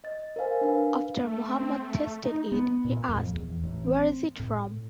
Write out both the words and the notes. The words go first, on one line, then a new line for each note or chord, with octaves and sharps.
After Muhammad tasted it, he asked, Where is it from?
D#5 A6
A#4 C5 F5 G#5
D4 B4 F5
A3
C4
A3
D#4
B3
A#2
F2
E2
A1
C4
A2